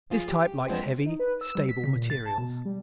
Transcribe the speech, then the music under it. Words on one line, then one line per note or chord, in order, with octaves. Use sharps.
This type likes heavy, stable materials.
F3 F4 G#4
G4
E2 F3 G#3 B3 C4 D4
D#4
B4
E6
G3
B6
C#3
A#2
A6
A5
B2
G3